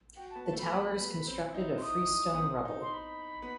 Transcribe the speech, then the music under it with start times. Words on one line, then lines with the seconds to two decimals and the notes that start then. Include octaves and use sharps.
The tower is constructed of freestone rubble.
0.16 F#4 G5
0.30 A5
0.35 B3
0.45 A5
0.53 A3
0.59 B5
0.72 A3
1.00 B3
1.27 C4
1.49 E4
1.54 D#4
1.78 C6
1.82 D#6
2.33 B3
2.38 C4
2.65 D#4
2.81 C6
2.93 B5
3.42 B3